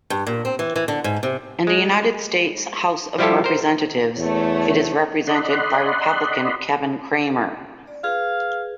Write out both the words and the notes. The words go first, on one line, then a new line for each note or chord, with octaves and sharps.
In the United States House of Representatives it is represented by Republican Kevin Cramer.
G2
A#2
C4
E3
E3
D3
G#2
C3
G#3
F3 G3 E4 F4 G4 A4
A#4 C5
E2 A3 C#5
D5 D#5 F#5 B5 C6
D5
G#4 B4 F5